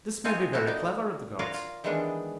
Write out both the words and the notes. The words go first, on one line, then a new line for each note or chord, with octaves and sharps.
This may be very clever of the gods.
C4 D#4 F4 C#5 G#5
A3 E4 F#4
D#4 D5
F4 F#4 A#4 C#5 D5 F5
F4
D#3 E3 G3 G#3 B3 D4